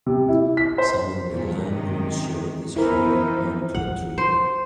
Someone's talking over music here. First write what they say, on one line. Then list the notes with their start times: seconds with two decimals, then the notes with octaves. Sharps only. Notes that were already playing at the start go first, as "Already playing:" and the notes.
Someone in a lime green shirt is holding on to a tree.
0.06 C3
0.29 E4
0.57 B6
0.78 C5
1.30 G2 A#2
1.70 C3 D#3 G#3
2.76 E3 B3 D#4 E4 A#4 C5
3.75 F#5
4.18 C5